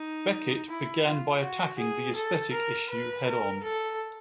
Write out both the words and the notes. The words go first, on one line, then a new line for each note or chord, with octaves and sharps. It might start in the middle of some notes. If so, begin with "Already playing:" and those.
Beckett began by attacking the aesthetic issue head on.
Already playing: D#4
E4
F4
F#4
G#4
A4
A#4
B4
A#4
A4